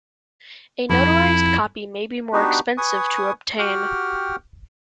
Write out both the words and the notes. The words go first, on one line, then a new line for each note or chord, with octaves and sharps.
A notarized copy may be more expensive to obtain.
F2 E4
B3 D4 D#4 F#4 G4 B4
B4 G#5 C#6 D#6
F#4 G4 F#5 G5 F6